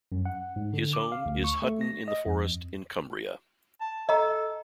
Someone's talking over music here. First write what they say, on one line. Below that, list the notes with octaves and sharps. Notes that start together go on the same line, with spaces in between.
His home is Hutton-in-the-Forest in Cumbria.
F#2
F#5
G#2
D3
D6
F5
D2
C#6
A3
A#6
D#5
F2
A5
A4 D#5 A#5